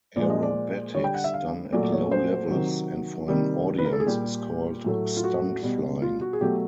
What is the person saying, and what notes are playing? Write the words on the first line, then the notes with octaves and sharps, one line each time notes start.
Aerobatics done at low levels and for an audience is called "stunt flying".
A#2 F3 G#3 D5
D#5
D5
D3 G3 C#5
G5
F#5
E5
F5
A#2 F#3 A3 D5
D5
C#5
C5
C3 D#3 F#3
C3 D#3 G3
B4
A#4
A4
G#4
A#2 G3 G4
A2 F#3 A3
F4
F#4
B2 G3
F4
F#4
G#4
B2 F#3 A3 G4